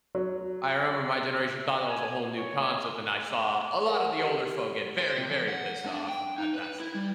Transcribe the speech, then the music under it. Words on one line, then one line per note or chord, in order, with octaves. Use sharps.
I remember my generation thought that was a whole new concept, and I saw a lot of the older folk get very, very pissed off at that statement
F#3
G#5
C#5
A#4 F#5
G4
C5
C3
F3
F#5
D4
G5
D#4
B4
E4
G3